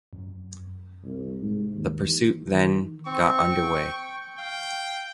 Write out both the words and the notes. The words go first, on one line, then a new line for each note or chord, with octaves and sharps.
The pursuit then got under way.
F#2
C2
G#2
D#2
E3
D#3
C4 C#6
G5
F5 G5